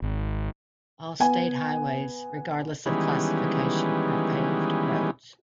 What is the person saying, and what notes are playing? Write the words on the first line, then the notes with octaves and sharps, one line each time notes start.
All state highways, regardless of classification, are paved roads.
G#1
B3 G#5
D#3 E3 G3 G#3 B3 C#4